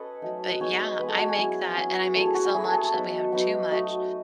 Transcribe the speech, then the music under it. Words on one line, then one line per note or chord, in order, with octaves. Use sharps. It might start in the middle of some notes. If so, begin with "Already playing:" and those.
But, yeah, I make that, and I make so much that we have too much.
Already playing: C#4 A4 B4 D#5
F#3 A3 D#4
B4
G#3 B3 D#4 C#5
D#5
G#3 B3 D#4 B4
A4
F#4
G#4
F#3 C#4 E4
F#3 C#4 E4
A3 E4 A4
G#4
F#4
F#4
A3 E4 G#4
A4
G#4
A4
F#3 B3 D#4 E5
F#3 B3 D#4
F#3 A3 D#4 D#5